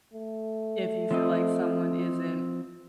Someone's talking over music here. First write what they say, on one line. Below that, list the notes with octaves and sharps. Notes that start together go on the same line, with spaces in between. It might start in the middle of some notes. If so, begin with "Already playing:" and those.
if you feel like someone isn't
A3
F3 C4 D#5